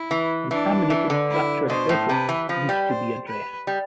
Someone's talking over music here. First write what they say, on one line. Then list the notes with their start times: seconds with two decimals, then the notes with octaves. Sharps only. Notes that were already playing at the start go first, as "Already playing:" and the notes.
Contaminated fractured bedrock needs to be addressed.
Already playing: E4
0.11 E3
0.51 E3 D4
0.90 E3
1.10 D3
1.30 E4
1.69 B2 C5
1.89 A2
2.09 C3 B4
2.29 E3
2.49 F3 B4
2.69 G3
2.88 C5
3.28 B4
3.67 G3